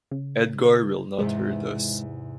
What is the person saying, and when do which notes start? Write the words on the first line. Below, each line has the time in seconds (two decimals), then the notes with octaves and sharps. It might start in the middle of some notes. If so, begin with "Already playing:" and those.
Edgar will not hurt us.
0.11 C#3
1.19 E2 G#2 C3 G#3